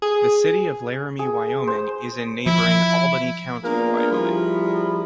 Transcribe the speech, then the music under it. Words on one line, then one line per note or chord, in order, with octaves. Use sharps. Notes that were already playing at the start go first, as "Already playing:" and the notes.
The city of Laramie, Wyoming, is in neighboring Albany County, Wyoming.
G#4
G#4
C5
F3 E4
A#3 B3 D4 F4 G#4 A#4
F3 G3 E4 G#4 A#4 B5